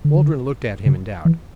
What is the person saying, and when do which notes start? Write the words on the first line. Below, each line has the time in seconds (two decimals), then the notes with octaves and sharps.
Waldron looked at him in doubt.
0.05 D3
0.86 C#3
1.25 E3